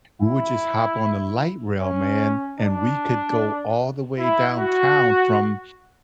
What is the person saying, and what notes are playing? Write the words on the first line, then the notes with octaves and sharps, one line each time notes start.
we would just hop on the Light Rail, man, and we could go all the way downtown from
E4
C#4
D4
E4
F#4